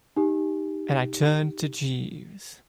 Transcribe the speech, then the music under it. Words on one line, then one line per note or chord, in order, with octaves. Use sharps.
And I turned to Jeeves.
D#4 G4